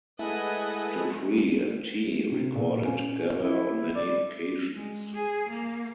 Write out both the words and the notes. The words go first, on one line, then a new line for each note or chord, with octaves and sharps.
Dupree and Tee recorded together on many occasions.
G#3 A3 E4 B4 D#5 F#5 G#5 B5
C3
A#2
C#4
E4
D5
G#3
G#4
A#3